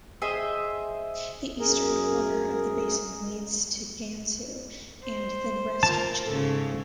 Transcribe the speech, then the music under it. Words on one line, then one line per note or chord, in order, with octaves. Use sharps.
The eastern corner of the basin leads to Gansu and the rest of China.
G#4 C5 D#5 E5
F#2 G#4 A#4
C5
F4 A#4 A5
G#2 C#3 A4